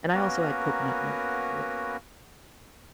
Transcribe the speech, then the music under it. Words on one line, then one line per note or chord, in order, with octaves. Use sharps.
and I also add coconut milk to it.
A#3 B3 C#4 F#4 A#4 B4